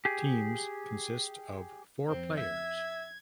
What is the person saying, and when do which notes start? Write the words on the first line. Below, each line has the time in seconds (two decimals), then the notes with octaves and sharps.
Teams consist of four players.
0.05 G4 G#4
2.07 F2 C4
2.38 E5 G#6